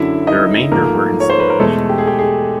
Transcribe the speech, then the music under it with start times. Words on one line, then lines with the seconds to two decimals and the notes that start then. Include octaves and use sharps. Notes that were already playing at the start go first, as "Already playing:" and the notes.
The remainder were in storage.
Already playing: F#2 D3 F#3 E4 E5
0.27 D#4 D#5
0.72 G#2 F3 A3 A#3 A#4
1.20 C#5
1.30 C5
1.40 B4
1.50 A#4
1.60 E2 B2 G#3 A3 A4
1.89 G4
1.98 G#4
2.07 G4
2.19 G#4